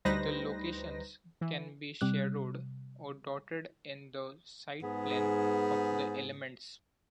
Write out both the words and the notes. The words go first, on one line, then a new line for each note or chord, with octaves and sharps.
The locations can be shadowed or dotted in the siteplan of the elements.
D2 G3 D#4 B4 C5 A#6
E3
C3 G3 F#6
G#2 B3 G#4